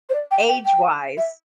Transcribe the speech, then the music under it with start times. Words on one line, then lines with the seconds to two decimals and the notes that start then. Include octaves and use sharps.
age wise
0.09 C5
0.13 D5
0.30 G5
0.48 G5
0.65 G5
1.17 E5